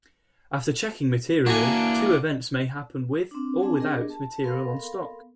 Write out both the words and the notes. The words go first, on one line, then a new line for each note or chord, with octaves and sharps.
After checking material, two events may happen-with or without material on stock.
E3 A#3 D4 F#4 G#5
C4 D4
C4 D4 G#4 G#5 A5
B3 D4 G4 G#4 A#4 D#5
A5
B3 A4 A#4 F5 B5 C6